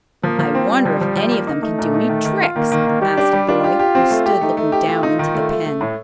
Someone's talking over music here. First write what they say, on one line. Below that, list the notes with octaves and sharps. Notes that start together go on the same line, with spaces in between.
"I wonder if any of them can do any tricks?" asked a boy who stood looking down into the pen.
F3 A#3
F3
C4
G3 C4
F3
F3
F3
A#3
D#4
A3 D#4
A#2
D#4
D#3
D#3
F4
D#3 A#3
D#3
D#3
G3 G4
D4
G3
D4 F4
G4
G4
C4
A3
G4
A3 D#4
A3
G4
A3 F4
D#4
D#3
A3
A3
A3
A2